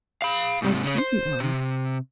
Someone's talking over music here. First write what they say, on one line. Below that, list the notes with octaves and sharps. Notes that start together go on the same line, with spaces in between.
I see you are.
F5 B5
G#2 C3
C#3 C#4
C5
C3